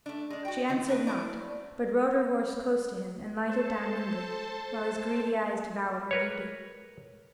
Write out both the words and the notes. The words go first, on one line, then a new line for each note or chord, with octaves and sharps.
She answered nought, but rode her horse close to him and lighted down nimbly, while his greedy eyes devoured her beauty.
A3 D4
G#3 D4
F#4 G5
D#3 F3 C4
A3 D4 A#4 B4
F#3 A3 C#4 E4 D5
A4 C5 A5
A#4 B4 C#5